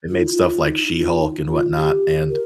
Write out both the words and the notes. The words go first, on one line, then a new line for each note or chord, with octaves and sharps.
they made stuff like She-Hulk and whatnot, and
F4
D#4
F4
F4
D#4
F4
D#4
F4
G4
A#4